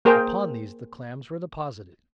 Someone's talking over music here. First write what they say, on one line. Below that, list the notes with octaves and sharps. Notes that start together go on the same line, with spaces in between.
Upon these the clams were deposited.
A#3 G#4 A#4 C5 G5